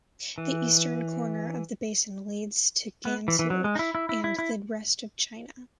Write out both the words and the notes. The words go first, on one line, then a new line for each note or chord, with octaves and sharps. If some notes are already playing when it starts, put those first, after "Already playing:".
The eastern corner of the basin leads to Gansu and the rest of China.
E3
B3
E3
E3
F#3
G#3
D#4
E4
E4
E4
E4
E4